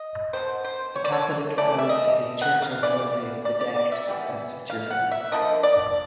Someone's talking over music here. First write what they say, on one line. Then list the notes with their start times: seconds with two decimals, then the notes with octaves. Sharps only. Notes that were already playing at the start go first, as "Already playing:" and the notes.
The Catholic goes to his church on Sundays bedecked with festive cheerfulness.
Already playing: D#5
0.33 B2 G3 B3 C5
0.64 C5
0.96 C#5
1.04 D5
1.12 C#5
1.58 E3 A3 D5
1.79 E5
1.89 D#5
2.42 F#5
2.62 F5
2.83 C#3 E3 D5
3.45 D5
3.61 D5
3.76 D5
3.92 E5
4.07 E3 G3 B3
4.70 F5
4.91 F#5
5.12 E5
5.32 D3 F3 A#3 D#5
5.63 D5